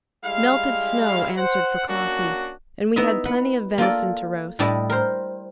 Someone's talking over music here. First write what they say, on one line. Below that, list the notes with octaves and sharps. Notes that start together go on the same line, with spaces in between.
Melted snow answered for coffee, and we had plenty of venison to roast.
G3 G#3 E4 F5
C5 F#5
A#3 C#4 D4 F#4
B3 D#4 E4 D#5 E5
B4 F#5
A#3 F4 A4 D5
A2 G3 E4 A4 D5 D#5
A#4 C5